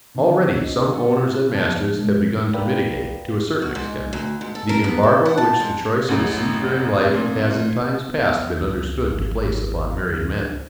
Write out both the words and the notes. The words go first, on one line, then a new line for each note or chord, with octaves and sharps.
Already some owners and masters have begun to mitigate, to a certain extent, the embargo which the choice of a sea-faring life has in times past been understood to place upon married men.
B2 D3 D#3 D4
C#4 D#4 D#5
G4 A4 F#5
E4 F4
F2 C#3 B3 C5 A5
B2 G#3 A#4
A#4 B4 D5 F5 G5
F#4
G#2
D2
G#2
A4
A#4
B3
A4
F#5
A5
G#2
A1 F#2 A2
F1 D#6
A#2
B3
C#2
G#1
D2
D4